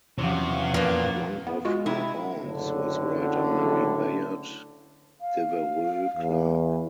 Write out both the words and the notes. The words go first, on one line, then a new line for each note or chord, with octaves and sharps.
One of her aunts was writer Mary Bayard Devereux Clarke.
E2 C3 F3 C#4 F#4 F5
F2 A#2 A#3 B3
B3
G#3 F4 F#4
C3 D#4 E4
F#1 A2 D3
F5
E2